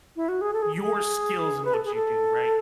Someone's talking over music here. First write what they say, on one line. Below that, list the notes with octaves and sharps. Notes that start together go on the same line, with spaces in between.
your skills and what you do, right?
E4
F#4
G#4
A4
G#4
G#4
B4
A4
G#4
A4